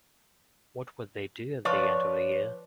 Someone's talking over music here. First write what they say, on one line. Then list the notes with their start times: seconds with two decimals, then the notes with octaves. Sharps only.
What would they do at the end of a year?
1.65 F3 B4 C#5 D5